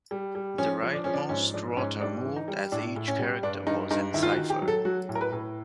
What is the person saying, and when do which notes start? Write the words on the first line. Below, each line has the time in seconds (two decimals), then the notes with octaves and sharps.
The rightmost rotor moved as each character was enciphered.
0.11 G3
0.35 G3
0.58 F3 C#4
0.82 F3
0.94 D4
1.04 F3 C#4
1.14 D4
1.29 G#2 C#4
1.54 F3 D4
1.77 G#2 C#4
2.01 G3 D4
2.25 E3
2.36 D#4
2.48 G3
2.72 A2 D4
2.96 A2
3.08 C#4
3.19 G3
3.43 G2 D4
3.67 G2 D#4
3.91 G2 D#4
4.14 D#3 E4
4.23 F4
4.32 F#4
4.38 D#3
4.50 G4
4.62 F#3
4.68 A4
4.85 F#3 F#4
5.09 A2
5.15 A#4
5.21 B4
5.32 A2